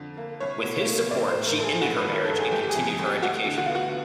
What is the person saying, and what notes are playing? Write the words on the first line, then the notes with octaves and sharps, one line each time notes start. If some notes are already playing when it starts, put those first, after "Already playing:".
With his support she ended her marriage and continued her education.
Already playing: F2 D3 F3
A#3
C2 C#5
B2
C#5
A#3
A#1 D5
C5
A2
A#4
A#1 A4
G#4
G2 F#4
B4
D#3
A#4
G2 A4
G#4
G1 G4
G4
G#4
F2
G#4
G1
G4
D2 F#4
D3
F#4
B3 F4
F#4